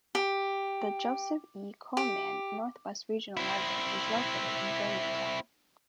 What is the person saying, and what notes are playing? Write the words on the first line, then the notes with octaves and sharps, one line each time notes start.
The Joseph E. Coleman Northwest Regional Library is located in Germantown.
G4
G4
C4 E4